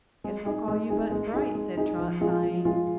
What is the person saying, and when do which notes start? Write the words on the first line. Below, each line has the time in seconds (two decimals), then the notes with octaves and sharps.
"Guess I'll call you Button-Bright," said Trot, sighing.
0.24 G#3
0.46 D#4 G#4
0.68 G#3
0.90 D#4 G#4
1.12 G#3
1.34 D#4 G#4
1.55 G#3
1.77 D#4 G#4
1.99 F3
2.21 G#3 F4 G#4
2.43 F3
2.65 G#3 F4 G#4